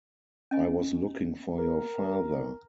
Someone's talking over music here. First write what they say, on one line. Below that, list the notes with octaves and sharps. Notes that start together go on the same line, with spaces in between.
I was looking for your father.
C#4 D#5 G#5
A#4